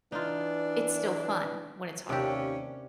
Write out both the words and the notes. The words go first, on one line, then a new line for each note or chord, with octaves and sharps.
it's still fun when it's hard.
E3 D4 D#4 F4
D#2 C3 C#4 D4 G4